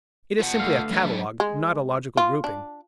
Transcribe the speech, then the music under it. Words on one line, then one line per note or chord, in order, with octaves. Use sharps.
It is simply a catalogue, not a logical grouping.
F4 B4 F#5
D3 A3 F5
F#3 D4 B4
G#3
F4
D4